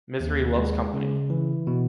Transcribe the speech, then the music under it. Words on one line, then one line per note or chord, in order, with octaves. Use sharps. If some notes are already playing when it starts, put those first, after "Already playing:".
Misery loves company.
D#2
G#3
C#3
E3
B2